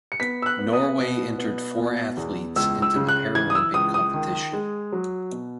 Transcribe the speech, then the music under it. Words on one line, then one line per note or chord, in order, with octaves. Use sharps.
Norway entered four athletes into the Paralympic competition.
C#7
B3 B6
E6
F#6
B3
D#6
B2
B3
B2
E2
C#2 E6
E6
C#3
F#6
E3 G#6
D#6
E6
C#2 D#6
D#6
D#3
G#3
F#3
B2